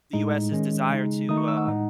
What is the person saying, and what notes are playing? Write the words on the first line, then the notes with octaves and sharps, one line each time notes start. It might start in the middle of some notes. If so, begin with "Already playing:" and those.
the US's desire to, uh
A2 G#3 D#4
D#3 G#3 C#4
C#3 G#3 D#4
D#3 A3 D#4 D#6
C#6
E6
F#5
A2 G#3 D#4